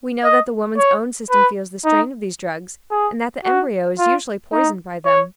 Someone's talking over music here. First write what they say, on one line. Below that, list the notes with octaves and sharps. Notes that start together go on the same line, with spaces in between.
We know that the woman's own system feels the strain of these drugs and that the embryo is usually poisoned by them.
D#5
C#5
B4
D#4
G#4
F#4
F4
D#4
C#5